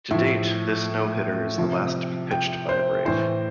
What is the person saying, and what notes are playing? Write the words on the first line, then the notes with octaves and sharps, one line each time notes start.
To date, this no-hitter is the last to be pitched by a Brave.
A2 F3 E5
C3 F3
G5
C5
A2 E3 C5